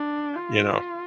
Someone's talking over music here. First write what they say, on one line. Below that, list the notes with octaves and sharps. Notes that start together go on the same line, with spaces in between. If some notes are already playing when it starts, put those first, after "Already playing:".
you know?
Already playing: D4
F4